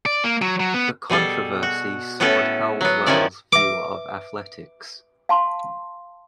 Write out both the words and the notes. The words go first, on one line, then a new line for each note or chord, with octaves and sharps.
The controversy soured Halswelle's view of athletics.
D5
A#3
F#3
F#3
B3
B2 G3 G#4 A4
F#4
A2 B3 C#4 E4 A4
F#3 B3
D#3 F3 C#4 E4 D5
B4 E5 D6
F5 A5 C6